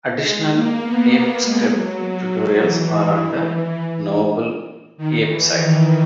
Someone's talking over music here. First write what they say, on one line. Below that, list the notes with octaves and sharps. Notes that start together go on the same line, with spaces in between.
Additional ApeScript tutorials are on the Noble Ape site.
G#3
A#3
B3
A#3
G#3
F#3
E3
D#3
E3
D#3